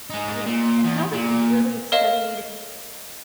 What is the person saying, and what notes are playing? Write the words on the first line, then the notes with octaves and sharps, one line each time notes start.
I d haven't really studied
G#3 D#4
A#2
E2
A#2
A#4 C#5 D#5 F5 E7